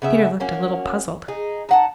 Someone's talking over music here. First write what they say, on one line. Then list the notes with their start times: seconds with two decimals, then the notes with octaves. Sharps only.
Peter looked a little puzzled.
0.02 C#3 B3 E5
0.40 A#3 C#4 F#4
1.28 D#4 G#4
1.69 D#4 F#5 A5